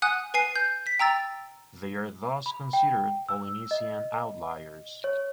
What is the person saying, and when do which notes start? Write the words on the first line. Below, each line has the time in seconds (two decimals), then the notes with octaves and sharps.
They are thus considered Polynesian outliers.
0.02 F#5 G#5 D#6 F#6
0.34 B4 G#5 C7
0.56 G6
0.87 B6
0.99 G5 A#5 E6 A6
2.46 B5
2.73 G5
3.29 E6
3.71 D#5
5.04 C#5